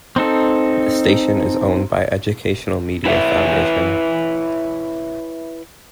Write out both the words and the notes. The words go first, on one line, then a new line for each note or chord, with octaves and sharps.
The station is owned by Educational Media Foundation.
C4 D#4 A4
E4 B4 C#5 E5